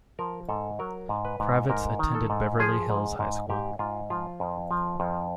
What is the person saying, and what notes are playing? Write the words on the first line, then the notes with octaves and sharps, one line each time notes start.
Kravitz attended Beverly Hills High School.
F3 A#4
G#2 A4
F#3 A#4
G#2
B4
G#2
G#2 A#4
D#3
A4
G#2
F3 G#4
G#2
G#2
G#2 G4
G#2 F4
F3 F4
F2
F3
F2